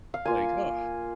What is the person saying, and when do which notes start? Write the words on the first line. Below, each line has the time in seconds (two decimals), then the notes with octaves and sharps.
Like, "Ugh,
0.14 F5
0.25 A#3 F4 G#5